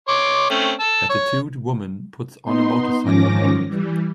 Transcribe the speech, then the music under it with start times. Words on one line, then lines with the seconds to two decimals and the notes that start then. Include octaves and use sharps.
A tattooed woman puts on a motorcycle helmet.
0.08 C#5 C6 D6
0.50 A3 C4 C#4
0.80 A5 E6
1.10 C#5
2.44 B3 D#4 C6
3.03 G#2 D#3 F3 C#4 D6 A#6
3.69 E3 G3